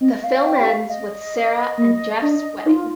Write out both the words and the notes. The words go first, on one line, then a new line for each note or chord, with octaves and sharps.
The film ends with Sarah and Jeff's wedding.
C4 D#5
F5
G5
G4
F5
D#5
A#3
D4
D#4 F4